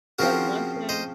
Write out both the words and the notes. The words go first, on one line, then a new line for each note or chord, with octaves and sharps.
But one thing
C#3 F3 C4 F#4 A#4
C5 D#5